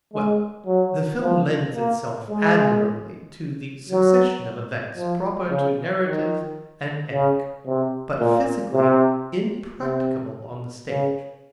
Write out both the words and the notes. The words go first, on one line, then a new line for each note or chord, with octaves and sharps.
Well, the film lends itself admirably to the succession of events proper to narrative and epic, but physically impracticable on the stage.
G#3
F#3
F3
A#3
G#3
F#3
F3
C#3
D#3
C#3
C3
A#2
C3
C3
C#3